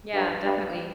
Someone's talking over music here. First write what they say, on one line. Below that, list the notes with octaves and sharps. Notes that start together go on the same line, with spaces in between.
Yeah, definitely,
G2
G2